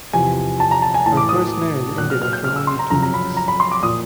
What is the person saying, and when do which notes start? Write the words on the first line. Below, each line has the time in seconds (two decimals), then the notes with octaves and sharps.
Her first marriage ended after only two weeks.
0.13 E2 C3 F3 G#5
0.60 A5
0.71 A#5
0.82 A5
0.94 G#5
1.06 A2 E3 A5
1.17 D6
1.29 D#6
1.98 A#2 F#3 F#6
2.10 F6
2.22 F6
2.33 G6
2.44 F6
2.56 E6
2.67 C6
2.79 A#5
2.90 F#2 C#3 F3 A#5
3.03 A#5
3.14 B5
3.37 A#5
3.48 B5
3.60 C6
3.72 D6
3.83 A#2 F3 D#6